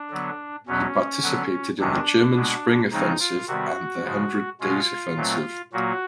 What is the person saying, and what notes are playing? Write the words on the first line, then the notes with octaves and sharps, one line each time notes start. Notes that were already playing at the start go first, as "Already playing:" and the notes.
He participated in the German spring offensive and the Hundred Days Offensive.
Already playing: D4
D3 F#3 B3
E2 B2 F#3 B3 C#4
D3 F#3 B3
E2 C3 D#3 G#3 C#4 D4
B2 G#3 B3
C#3 F3 G#3 C4 D#4
F4
C3 D#3 G3 B3 F#4
C#3 F3 G#3
B2 G#3 C#4 F4
A#2 F#3 A3 C4
A#2 F#3 A#3 F#4